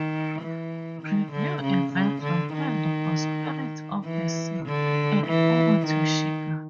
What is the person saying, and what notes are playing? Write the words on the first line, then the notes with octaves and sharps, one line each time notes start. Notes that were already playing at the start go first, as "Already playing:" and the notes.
Preview events were held for "Spirits of the Sea" and "Uma to Shika".
Already playing: D#3
E3
D#3
D3
C#3
C#3
D3
D#3
E3
D3
E3
D#3